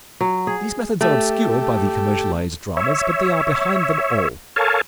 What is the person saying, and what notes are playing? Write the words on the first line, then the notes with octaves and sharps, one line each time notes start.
These methods are obscured by the commercialized dramas, but they are behind them all.
F#3
G#4
A3 G4 A4
C#5 E5
A4 A#4 C#5 F5 G#5 A5